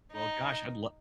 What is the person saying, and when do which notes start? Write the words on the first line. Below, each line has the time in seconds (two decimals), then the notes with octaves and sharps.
well, gosh, I'd lo
0.12 D#4